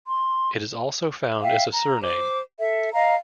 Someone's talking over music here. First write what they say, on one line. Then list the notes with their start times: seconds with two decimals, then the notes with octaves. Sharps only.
It is also found as a surname.
0.07 C6
1.43 E5 F5 G5
1.72 A#5
2.02 C5 D6
2.59 A4 E5
2.94 D#5 F5 A#5